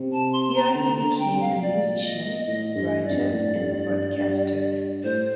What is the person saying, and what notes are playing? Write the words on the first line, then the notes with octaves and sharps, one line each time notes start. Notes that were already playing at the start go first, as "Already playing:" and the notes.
Here he became a musician, writer and broadcaster.
Already playing: C3
A5
C6
A#5
D3 A#5
A#5
D3
G5
C3
F5
A#2 D5
D#5
A2 D#5
G2 D#5
G2 D5
F2
G2
A2
F2
G2
G2
G2
A2 C5